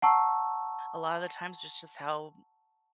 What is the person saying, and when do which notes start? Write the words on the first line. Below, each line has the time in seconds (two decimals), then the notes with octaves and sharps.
a lot of the times, that's just how,
0.02 F#5 A5 A#5 C#6 E6